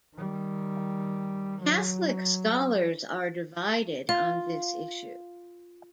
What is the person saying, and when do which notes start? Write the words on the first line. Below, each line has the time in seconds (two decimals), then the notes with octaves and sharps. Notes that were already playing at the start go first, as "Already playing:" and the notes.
Catholic scholars are divided on this issue.
0.15 D#3 G3
1.62 F#3
4.09 F4 F5